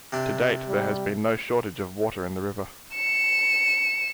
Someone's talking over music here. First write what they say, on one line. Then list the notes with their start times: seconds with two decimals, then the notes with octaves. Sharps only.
To date, there has been no shortage of water in the river.
0.12 C3 D4
0.68 G3
2.95 C#7 E7